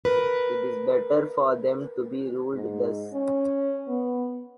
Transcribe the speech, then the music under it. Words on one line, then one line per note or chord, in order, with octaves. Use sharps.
It is better for them to be ruled thus.
A#4 B4
G#2
C#4
B3